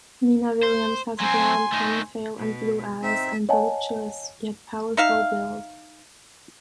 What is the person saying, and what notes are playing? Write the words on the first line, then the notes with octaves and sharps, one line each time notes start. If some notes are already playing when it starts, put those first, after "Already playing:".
Nina Williams has blonde ponytail and blue eyes, and voluptuous yet powerful build.
C5
F#3 C4 G#5 C6
A3 D#4
B2
C4 D#4 E5
C#5 D#5 F#5 G#5 A5
D#4 E5 F5